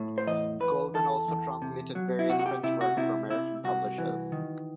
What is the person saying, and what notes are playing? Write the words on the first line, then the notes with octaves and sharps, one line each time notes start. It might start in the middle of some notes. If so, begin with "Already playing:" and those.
Coleman also translated various French works for American publishers.
Already playing: A2
C5
E2 D#5
E2 B4
E2 A4
E2
C3
F#3
E4
C3 F#4
F#4
G4
C3 E4
F#4
C3 E4
C3 E4
C2 F#4
E3
D#3